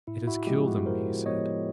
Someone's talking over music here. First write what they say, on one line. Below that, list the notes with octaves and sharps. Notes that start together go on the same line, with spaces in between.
"It has killed him!" he said.
A2 E4
E4 F#4
F3 G#3 B3 F4 G4
F#4 G#4
A2 A#4 C5
F3 G#3 B3 C#5 D#5